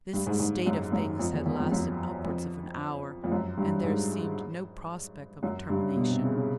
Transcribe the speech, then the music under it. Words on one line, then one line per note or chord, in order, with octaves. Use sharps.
This state of things had lasted upwards of an hour, and there seemed no prospect of a termination.
G2
G#2
G#2
F#2
F#2
F2
E2
E2
F2
F#2
F2
F2
F#2
G2
G#2
F#2
G2
B2
C3
C#3
C#3